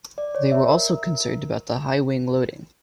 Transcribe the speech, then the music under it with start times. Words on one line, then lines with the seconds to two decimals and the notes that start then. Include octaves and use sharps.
They were also concerned about the high wing loading.
0.18 D5
0.35 C#5
0.52 E5
0.69 A#4